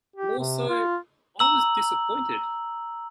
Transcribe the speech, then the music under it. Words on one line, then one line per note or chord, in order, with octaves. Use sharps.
More so, I was disappointed.
G4
C3
F4
A#5 E6 F#7